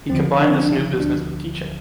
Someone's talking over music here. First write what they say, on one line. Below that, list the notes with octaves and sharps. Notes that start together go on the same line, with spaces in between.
He combined this new business with teaching.
D#2 D3 F3 C4
D4
C4
D4
D#4
D2 D3 F3 D4